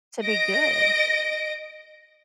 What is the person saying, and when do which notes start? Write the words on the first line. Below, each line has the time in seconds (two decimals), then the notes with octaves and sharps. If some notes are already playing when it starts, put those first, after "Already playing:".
to be good,
0.21 D#5 A#6 D7